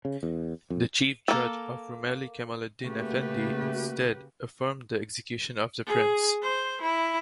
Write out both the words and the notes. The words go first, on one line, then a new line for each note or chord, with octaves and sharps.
The Chief Judge of Rumeli Kemaleddin Efendi instead affirmed the execution of the prince.
C#3
E2
F2
A#3 A4
C#3 A3 A#3 F#4 G4 B4
G#4
C5
E4